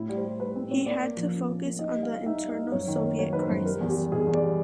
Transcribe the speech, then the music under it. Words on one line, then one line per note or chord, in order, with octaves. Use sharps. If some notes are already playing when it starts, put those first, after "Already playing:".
He had to focus on the internal Soviet crisis.
Already playing: A2 E4
G3
C5
G3
G3 B4
C4 B4
C4 C#5
A#3 D5
A#3
F3
C#4
A#3
A#3
D#4 D#5
G3
F5
G3
D#4 E5
G3
D#5
D#4
F#2 C#5
D#3
C#5
A#3
F#3 C#5
D#3 B4
C5
F#2
G3 A#4
E2
G4
G3
B2 G#4
E2
D5
G3